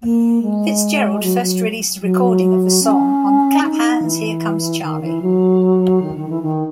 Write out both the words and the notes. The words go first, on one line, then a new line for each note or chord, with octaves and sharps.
Fitzgerald first released a recording of the song on Clap Hands, Here Comes Charlie!
A#3
G#3
F#3
F#3
F#3
C#4
D#4
E3
D#3
E3
F#3
D#3
D#3
E3
D#3